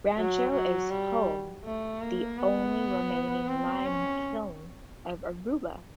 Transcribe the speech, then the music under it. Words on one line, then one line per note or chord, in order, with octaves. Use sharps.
Rancho is home the only remaining lime kiln of Aruba.
F#3
F#3
G3
A3
A#3
B3
C4
C#4